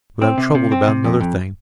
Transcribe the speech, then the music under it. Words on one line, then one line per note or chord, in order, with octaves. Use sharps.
But I am troubled about another thing.
C4
C3
C3
C4
C3
F2
F2